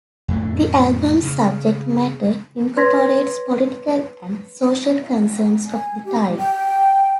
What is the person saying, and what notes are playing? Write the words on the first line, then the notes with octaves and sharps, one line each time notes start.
The album's subject matter incorporates political and social concerns of the time.
F2 A2 D3 A3
C#3
B4 C#5 C6 G#6 A#6 B6
G#5
G4
G5